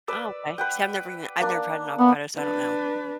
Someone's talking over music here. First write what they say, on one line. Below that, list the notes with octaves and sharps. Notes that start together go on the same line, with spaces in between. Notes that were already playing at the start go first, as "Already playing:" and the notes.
Oh, okay, see, I've never even I've never had an avocado, so I don't know.
B4 D5 E6
B4 F#5 G5
A#3 D4
B3 F#5
D4 B4